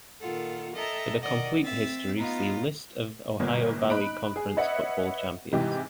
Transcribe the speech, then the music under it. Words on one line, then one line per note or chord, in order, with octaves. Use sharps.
For the complete history, see List of Ohio Valley Conference football champions.
A#2 D#3 F4 A4 F#5
A4 D#5 E5 G5 A5 A#5
D#3 D5 D#5 F#5
C4 E5 A6
B3 D#4 F4
G1 A#2 A#3 B3 C#5
D#4 B5 F#6 D7
G#4 G#5
B4 C#5 D#5 E5 F#5 B5
G#2 C3 E3 D#4 G4